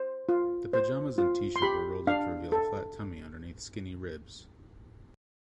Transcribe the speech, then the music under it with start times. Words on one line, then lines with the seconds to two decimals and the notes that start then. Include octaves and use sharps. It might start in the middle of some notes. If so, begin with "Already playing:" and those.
The pajamas and T-shirt were rolled up to reveal a flat tummy underneath skinny ribs.
Already playing: C5
0.29 F4
0.73 C5
1.18 F4
1.56 C6
1.62 G4 B5
2.07 D4 F5
2.52 A4